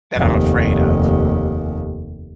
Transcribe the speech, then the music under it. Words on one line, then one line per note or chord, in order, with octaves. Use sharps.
that I'm afraid of.
F1 D#2